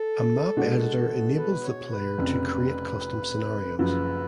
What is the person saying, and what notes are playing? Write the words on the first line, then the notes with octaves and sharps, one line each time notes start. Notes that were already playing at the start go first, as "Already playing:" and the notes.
A map editor enables the player to create custom scenarios.
Already playing: A4
B2 G#3 D4 F#4
B4
C#5
B4
F1 F2 C#3
F#1 F#2 F3 B4